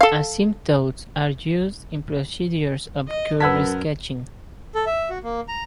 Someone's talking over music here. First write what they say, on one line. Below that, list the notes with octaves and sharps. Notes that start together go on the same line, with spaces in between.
Asymptotes are used in procedures of curve sketching.
A4 F5
D#5
F#2 A#4 B4 F#5 A5 E6 G#6 B6
A4
E5
F#4
A#3
A#5